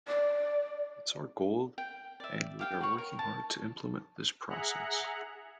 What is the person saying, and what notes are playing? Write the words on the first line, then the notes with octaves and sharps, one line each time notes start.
It's our goal and we are working hard to implement this process.
D5
G5
D5 E5
G4 F5 G5
F#4 B4 C#5
A#4
A5
G#4 E5 F#5 A#5 F#6